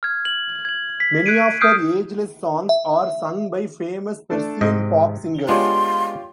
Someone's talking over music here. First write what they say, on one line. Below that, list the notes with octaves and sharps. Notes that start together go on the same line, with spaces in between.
Many of her ageless songs are sung by famous Persian pop singers.
F6 G#6
F#7
G#6 F#7
B6
F#6 G#6 C7 D7 D#7
D#6 F6 G6 C7 D7
E5
A3 D4 A4
G#2 C3 D#5
G#3 B3 D4 F4 G4 C#5 C6